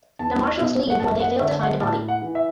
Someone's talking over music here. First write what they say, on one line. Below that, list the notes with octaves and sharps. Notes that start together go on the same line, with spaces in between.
The Marshals leave when they fail to find Bobby.
E2 A5
B2
F#5
F#2 A5
F#5
D3 E5
F#5
A2 A5
F#5
E3
E5